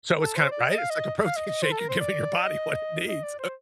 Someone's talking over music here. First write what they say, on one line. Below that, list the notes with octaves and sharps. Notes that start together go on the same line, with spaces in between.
So it's kinda, right, it's, like, a protein shake, you're giving your body what it needs
A4
C5
D5
D#5
F5
D#5
F5
D#5
D#5
C5
A4
A#4
C5
D5
D#5
D#5
D5
C5